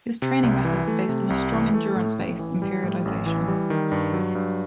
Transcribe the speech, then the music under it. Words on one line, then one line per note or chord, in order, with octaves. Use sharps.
His training methods are based on a strong endurance base and periodisation.
C3
C2
E3
A3
C3
C2
E3
A3
A2
A1
E3
G3
A2
A1
E3
G3
D#3
G2
F#3
G2